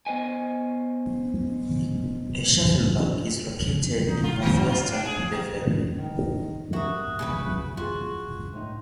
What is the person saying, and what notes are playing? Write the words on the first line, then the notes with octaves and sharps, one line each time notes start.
Aschaffenburg is located in northwestern Bavaria.
B3 C5 D#5 G#5
D#4
F4
D#3
F#3
F4
D4
G#4
A2
D#3
F#4 G4 A#4 E5 D#6
C#3 F#4 B4
F4 F#4 G#4 C6
A2 D#4